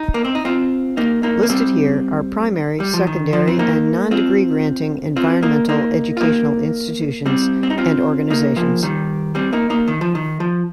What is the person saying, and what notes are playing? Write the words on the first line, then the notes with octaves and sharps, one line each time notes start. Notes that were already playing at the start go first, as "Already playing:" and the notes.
Listed here are primary, secondary, and non-degree granting environmental education institutions and organizations.
Already playing: D#4
A#3
C4
D#4
C4 F4
A#3 D#4
A#3 D#4
A#3
G3 C4
G3
F3
D#3
F3
C4
A#3 D#4
C4 F4
C4 F4
A#3 D#4
A#3 D#4
F4
A#3 D#4
G3 C4
C4
D#4
C4 F4
A#3 D#4
F3 A#3
D#3 G3
G3 C4
A#3 D#4
A#3 D#4
D#3
F3
D#3
F3